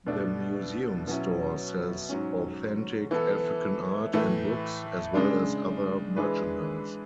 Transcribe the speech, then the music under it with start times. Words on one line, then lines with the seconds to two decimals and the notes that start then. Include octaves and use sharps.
The museum store sells authentic African art and books, as well as other merchandise.
0.06 B2 A3 D4
1.07 B2 F#3 C#4 E4
2.09 G#2 F#3 C#4
3.11 E3 B3 E4 A4
4.13 A2 E3 A3
5.14 C#3 G#3 D4
6.16 E3 G#3 D4 G#4 B4